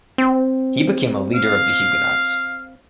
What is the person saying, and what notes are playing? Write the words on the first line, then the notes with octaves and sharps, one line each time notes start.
He became a leader of the Huguenots.
C4
F5